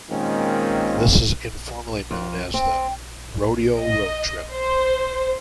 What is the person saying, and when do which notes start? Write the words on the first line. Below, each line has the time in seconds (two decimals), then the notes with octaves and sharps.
This is informally known as the "Rodeo Road Trip".
0.10 A#2 D#3 G#3 A#3 C4 C#4
2.11 F2
2.54 C4
3.80 D#5
4.53 C5